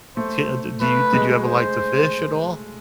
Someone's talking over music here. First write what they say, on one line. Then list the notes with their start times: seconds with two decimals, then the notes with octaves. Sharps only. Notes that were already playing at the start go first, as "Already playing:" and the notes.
it's can d do you did you ever like to fish at all?
0.17 A3 C5
0.81 A3 B4
1.13 G#3
1.45 C5